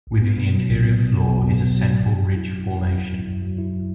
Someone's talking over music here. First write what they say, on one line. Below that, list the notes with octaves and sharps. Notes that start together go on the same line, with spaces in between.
Within the interior floor is a central ridge formation.
B1
B3
B2
F#3
B1
B3
B2
F#3
B1
B3
B2
F#3
F#2
F#2
F#3
E4
F#2
F#2
F#3
E4
F#2
F#2
F#3
E4